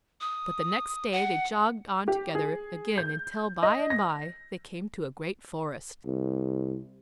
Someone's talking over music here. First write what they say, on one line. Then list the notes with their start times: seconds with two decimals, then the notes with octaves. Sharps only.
But the next day they jogged on together again until by-and-by they came to a great forest.
0.21 D#6
1.12 F#5
2.08 G4
2.35 G#4
2.98 G6
3.63 D#5
3.90 A#6
6.06 C2